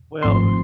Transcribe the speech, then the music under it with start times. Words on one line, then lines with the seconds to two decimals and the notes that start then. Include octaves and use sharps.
Well, uh,
0.23 G#1 G#2 F3 A3 C4 C6